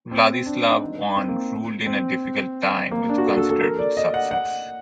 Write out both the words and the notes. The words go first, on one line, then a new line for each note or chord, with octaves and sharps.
Vladislav I ruled in a difficult time with considerable success.
C4
D4
D#4
C4
A#3
C4
A#3
D4
F#4
A4
A4
A4
A#4
D5
D#5
F#5
F#5